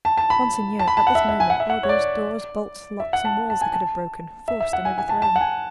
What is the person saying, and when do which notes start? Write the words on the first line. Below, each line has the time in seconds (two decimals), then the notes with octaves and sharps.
"Monseigneur, at this moment, orders, doors, bolts, locks, and walls I could have broken, forced and overthrown!"
0.05 A5
0.17 A5
0.30 B5
0.79 A5
0.88 B5
0.97 A5
1.07 F#5
1.15 E5
1.29 E5
1.40 G#5
1.50 F#5
1.60 E5
1.70 F#5
1.83 C#5
1.89 D5
3.00 E5
3.13 F#5
3.25 A5
3.50 A5
3.62 G#5
3.74 A5
4.48 E5
4.60 E5
4.73 F#5
4.85 G#5
4.98 G#5
5.09 A5
5.22 A5
5.36 F#5
5.41 G#5